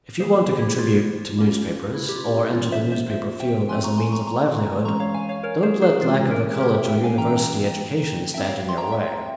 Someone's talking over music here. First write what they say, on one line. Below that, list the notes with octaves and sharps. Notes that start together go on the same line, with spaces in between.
If you want to contribute to newspapers or enter the newspaper field as a means of livelihood, don't let lack of a college or university education stand in your way.
E3 G3 A#3 G#4 C5
E4 G4
F4
G3 A#3 C#4
E4
G4
F4
E4
E3 G3 C#4 F4
C5 E5
C5 E5
C5 E5
E5 G5
F3 C4 G#5 C6
A#5 C#6
G#5 C6
A#5 C#6
A#5 C#6
E3 G#3 C#4 A#5 C#6
C#5 F5
F5 G#5
C#5 F5
A#4 C#5
G#4 C5
G#4 C5
E3 G#3 C#4 F4 G#4
G4 A#4
G4 A#4
E5 G5
E5 G5
F5 G#5
E3 A#3 C#4 G5 A#5
G5 A#5
F3 C4 E5 G5
C#5 F5
C6
G5 A#5
E5 G5